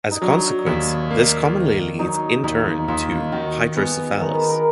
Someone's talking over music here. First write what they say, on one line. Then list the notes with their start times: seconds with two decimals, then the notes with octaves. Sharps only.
As a consequence, this commonly leads in turn to hydrocephalus.
0.11 D#4
0.22 F#3 D4
0.66 D#2
1.11 A#3
1.55 D#3
1.99 F#3 D#4
2.44 D#2 D#4
2.88 D#2 F4
3.32 D#3 F#4
3.76 B3 G#4
4.21 D#3 A#4
4.35 B4
4.49 A#4